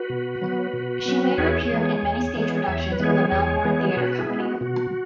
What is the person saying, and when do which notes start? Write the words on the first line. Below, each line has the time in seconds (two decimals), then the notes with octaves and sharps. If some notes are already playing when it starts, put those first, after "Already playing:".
She later appeared in many stage productions with the Melbourne Theatre Company.
Already playing: F#4 B4
0.10 B2
0.41 F#3 B3
0.73 B2
1.06 F#3 B3
1.38 E2 G#4 C#5
1.70 E3 G#3 B3
2.03 E2
2.36 E3 G#3 B3
2.68 E2 E5
2.79 C#5
2.92 B4
3.00 E3 G#3 B3 G#4 C#5
3.32 E2
3.64 E3 G#3 B3
3.97 B2 F#4 B4
4.18 E4 G#4
4.29 G#3 B3
4.40 F#4
4.61 B2 F#4